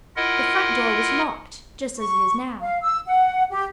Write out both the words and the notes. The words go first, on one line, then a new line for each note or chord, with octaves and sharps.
The front door was locked, just as it is now.
E4 F4 A#4 D#5 F#5
C#6
F5
E6
F#5
G4